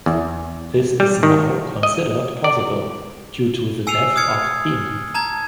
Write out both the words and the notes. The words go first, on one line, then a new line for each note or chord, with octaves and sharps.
This is now considered possible due to the death of Demon.
E2
G3
D#3
D#5
D5
G#5 E6 C7 C#7 D#7 F7
D#6 F6 G#6 C#7
A5 A#5 G#6